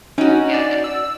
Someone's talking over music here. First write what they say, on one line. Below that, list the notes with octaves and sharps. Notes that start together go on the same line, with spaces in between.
Yea, they
C#4 D#4 F#4
D5
E6